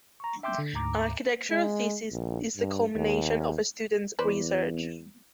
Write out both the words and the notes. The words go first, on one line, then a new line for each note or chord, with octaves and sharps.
An architectural thesis is the culmination of a student's research.
A#5 C#6
E5 G5 C6 D6 E6 G6
D3
D2 G#2 A#5 D6
G#3
A#1
G2
D#2
E2 B4 C5 D5